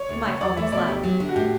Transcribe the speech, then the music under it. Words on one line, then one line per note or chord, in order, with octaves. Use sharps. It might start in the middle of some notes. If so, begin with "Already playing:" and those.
Mike almost laughed.
Already playing: C#5
D2
C#3
E2 D5
A3 E5
B2 D5
D2 G4
F#3
D3
F#4
A2 G4